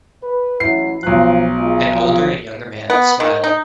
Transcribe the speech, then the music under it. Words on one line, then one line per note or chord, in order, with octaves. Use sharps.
An older and younger man smiling.
B4
A1 F#3 E4 C7
B1 F3 F#6
F3 G#3
F3
B3
D#3
D#4